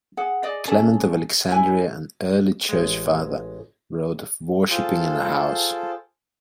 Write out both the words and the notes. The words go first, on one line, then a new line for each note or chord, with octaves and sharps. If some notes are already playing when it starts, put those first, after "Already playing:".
Clement of Alexandria, an early church father, wrote of worshipping in a house.
G#4 F#5
G#4 D5 D#5
C#4 G#4 A4
E4 G#5
A1 G#3
F4 G#4 A4 C5 G5 A5